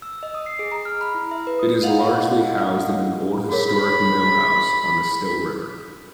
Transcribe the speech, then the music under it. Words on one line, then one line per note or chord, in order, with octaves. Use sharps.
It is largely housed in an old historic mill house, on the Still River.
E6
D#5
D#6
C7
G#4
A#5
F6
B5
E4
E5
B4
D#6
D#5 F5 F#5
G#4 A#4 C#5 B5